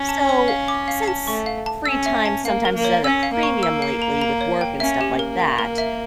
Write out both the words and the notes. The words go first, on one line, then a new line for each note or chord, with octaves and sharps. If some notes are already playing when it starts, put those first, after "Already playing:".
So, since free time sometimes is at a premium lately with work and stuff like that,
Already playing: C#4
A5
C#5
F5
D6
F5
A5
A3 C#6
F5
A5
C#4 E6
E5
A5
A#3 F5
A#4
A#3
C#5
C#4 E6
F5
A#3
C#6
E6
F5
A#5
A#5
C#5
G5
C#4 E5
G4
A#3
A#4
G5
A#4
E5